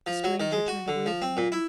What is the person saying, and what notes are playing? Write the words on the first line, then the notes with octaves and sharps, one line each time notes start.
The stranger turned away from him.
F3
F#3
D#3
G#3
F#4
D3
F3
C4
A#2
E4